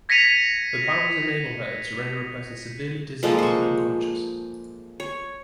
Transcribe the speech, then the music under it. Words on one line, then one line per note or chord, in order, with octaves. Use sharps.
Her powers enable her to render a person severely dizzy and even unconscious.
G#6 A#6 B6 C#7 D#7 F7
F3 G#3 A#3 A4
C5 C#6
C#5